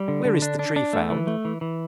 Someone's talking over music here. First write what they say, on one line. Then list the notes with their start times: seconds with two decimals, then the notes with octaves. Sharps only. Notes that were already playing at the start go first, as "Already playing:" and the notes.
Where is the Tree found?
Already playing: G3
0.08 D3
0.25 D3
0.42 D4
0.59 D4
0.76 D4
0.93 A3
1.10 E3
1.27 A3
1.45 E3
1.61 E3